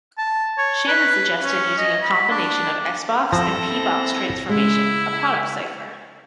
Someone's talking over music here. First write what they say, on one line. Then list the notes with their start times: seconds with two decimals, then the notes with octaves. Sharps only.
Shannon suggested using a combination of S-box and P-box transformation-a product cipher.
0.18 A5
0.58 C#5
0.88 B4
1.43 C#4
1.78 D#5
2.02 B5
2.30 D4
3.32 F3 C4 E4 A4 A#6
4.49 C#3 G#3 E4